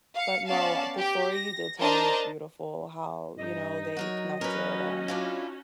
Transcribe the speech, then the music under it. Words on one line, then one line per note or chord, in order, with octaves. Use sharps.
But, no, the story you did tell me was beautiful, how, you know, they connected and,
F5 C#7
B3 C#4 D5 F5 A5
G4
A#6
D4 A#4 C5 D#5 A5 A#5
G2 D#4 D#5
F#3 F#4 A#4 C#5
F#3 C#4 D#4 F#4 A#4 B4
D4 E4 F4